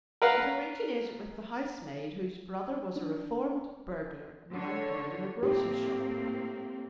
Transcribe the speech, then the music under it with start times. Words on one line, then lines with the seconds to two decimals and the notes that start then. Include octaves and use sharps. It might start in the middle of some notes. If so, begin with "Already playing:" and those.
It originated with the housemaid whose brother was a reformed burglar now employed in a grocer's shop.
0.22 A#4 B4 F5 F#5
2.96 D4
4.52 D3 C#5
5.43 A2 A#3 C4 G4